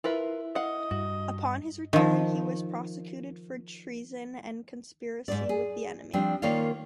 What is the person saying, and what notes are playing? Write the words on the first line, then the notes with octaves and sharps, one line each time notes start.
Upon his return, he was prosecuted for treason and conspiracy with the enemy.
E4 F4 A#4 B4 E5
D#5 F5 F#5
G2 F#4
D#3 F3
G#2 C#3 D5
G#4
F3 G3 C4 D4
D#3 A#3 F4 C#5 D5 F5